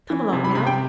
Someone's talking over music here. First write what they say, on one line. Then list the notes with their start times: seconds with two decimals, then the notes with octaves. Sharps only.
Come along, now.
0.10 E3
0.33 C3
0.44 B5
0.55 C3 B5
0.67 G5